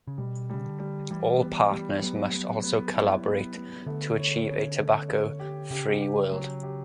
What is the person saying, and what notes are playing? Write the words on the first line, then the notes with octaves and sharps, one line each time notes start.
All partners must also collaborate to achieve a tobacco-free world.
C#3
B2 G3
C#3 G3
D3
G3
E3 G3
B3
G3
F#3 B3
B3
B3
E4
B3
B3
D3 A3
C#5
C#4
A3
C#5
G4
C#3 G4
G4
F#3
G4